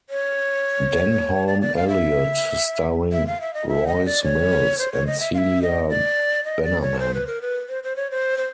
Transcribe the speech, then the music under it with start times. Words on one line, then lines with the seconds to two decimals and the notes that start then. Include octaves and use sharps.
Denholm Elliott, starring Royce Mills and Celia Bannerman.
0.10 C#5
1.47 D5
1.61 D5
1.76 F5
1.88 E5
3.12 E5
3.27 F5
3.41 E5
3.54 D#5
3.68 E5
3.87 D#5
4.06 D5
4.24 C#5
4.78 C5
4.92 C#5
5.07 D#5
5.20 E5
5.34 F5
5.38 E5
5.62 D#5
5.89 D5
6.44 D#5
6.64 D5
6.81 C#5
6.99 C5
7.14 B4
7.27 A#4
7.42 B4
7.68 C5
7.83 C5
7.96 C#5
8.11 C5
8.37 C5